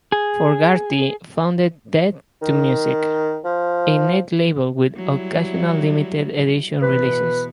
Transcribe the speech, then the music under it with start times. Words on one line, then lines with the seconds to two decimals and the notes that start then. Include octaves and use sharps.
Fogarty founded 'Death To Music', a Netlabel with occasional limited edition releases.
0.12 G#4
2.42 D#3
3.44 F3
4.95 F#3 G3 E4
6.82 E2 B2 B4